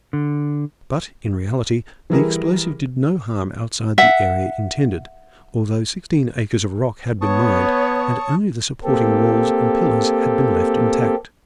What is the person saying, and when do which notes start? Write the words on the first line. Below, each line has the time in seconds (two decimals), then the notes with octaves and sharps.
But, in reality, the explosive did no harm outside the area intended, although sixteen acres of rock had been mined and only the supporting walls and pillars had been left intact.
0.13 D3
2.10 E3 G3 E4 G#4 A#4
3.98 E5 F#5
7.21 B3 C#5 A5 C#6 D#6
8.84 A#3 C4 G4 A4